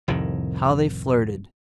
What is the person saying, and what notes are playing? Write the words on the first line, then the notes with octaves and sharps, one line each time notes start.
How they flirted!
C2 F2 A2 D#3